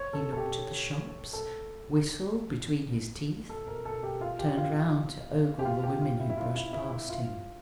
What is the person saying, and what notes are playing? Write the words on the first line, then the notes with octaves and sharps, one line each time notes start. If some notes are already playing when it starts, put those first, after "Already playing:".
He looked at the shops, whistled between his teeth, turned round to ogle the women who brushed past him.
Already playing: C#5
A4
A4
G4
A4
A4
A#4
A4
G4
F4
G4
F4
G4
F4
G4
F4
E4
E4
F4
E4
E4
E4
F4